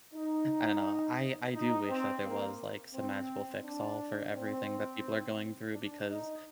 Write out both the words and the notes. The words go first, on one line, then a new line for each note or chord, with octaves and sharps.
I don't know. I I do wish that there was, like, some magical fix all for everything that people are going through because,
D#4
D#4
C4
A#3
C4
D4
C4
D4
D#4